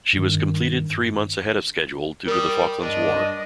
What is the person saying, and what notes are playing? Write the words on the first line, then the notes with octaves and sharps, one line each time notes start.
She was completed three months ahead of schedule due to the Falklands War.
G2 D#3
G3 A#4 D#6
G2 D4 D#5